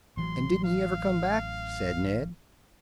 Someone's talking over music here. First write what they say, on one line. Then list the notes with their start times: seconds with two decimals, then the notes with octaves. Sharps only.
"And didn't he ever come back?" said Ned.
0.17 A1 E3 F#3 C6
0.64 F5